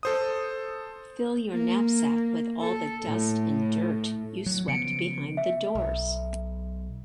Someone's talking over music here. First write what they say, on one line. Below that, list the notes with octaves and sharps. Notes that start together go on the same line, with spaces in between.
Fill your knapsack with all the dust and dirt you swept behind the doors.
A4 C5 D#6
A#3
A4
A2
F#3
C#3 F3 B3 C#7 D7
E5
B1